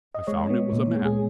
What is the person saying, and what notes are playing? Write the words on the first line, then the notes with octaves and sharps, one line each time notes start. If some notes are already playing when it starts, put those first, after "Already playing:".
I found it was a man.
D#5
G#3 C#5
B3
A#2
G#3
G#4